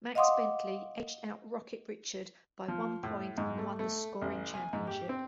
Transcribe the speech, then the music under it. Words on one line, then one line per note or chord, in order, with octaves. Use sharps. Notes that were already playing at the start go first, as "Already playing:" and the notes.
Max Bentley edged out Rocket Richard by one point and won the scoring championship.
D#5 F5 F#5 C6 D6 D#6
F3
A2
G#2
A3
A3
A1
G#5
G#2
G4
C4